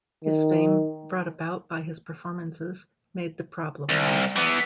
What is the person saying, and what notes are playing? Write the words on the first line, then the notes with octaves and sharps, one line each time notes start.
His fame, brought about by his performances, made the problem worse.
D#3
C2
E3 B3